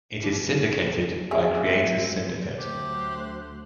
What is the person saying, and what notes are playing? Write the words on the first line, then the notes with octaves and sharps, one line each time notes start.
It is syndicated by Creators Syndicate.
D#4
F#3 G#3 A#3 C4 C#4 G#4 E5
D2 F#3 A3 G4 C5 F#6